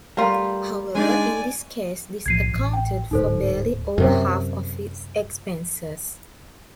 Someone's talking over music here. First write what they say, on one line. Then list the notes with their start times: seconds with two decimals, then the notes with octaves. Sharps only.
However, in this case, this accounted for barely over half of its expenses.
0.17 G3 A3 F4 A#4
0.95 G#3 D4 D#4 D5 G#5
2.26 B1 A2 F3 G#6 C7 D#7
2.52 A1
2.73 G5
3.11 D1 D2 G#2 D#4 A4 C5
3.98 F#2 C3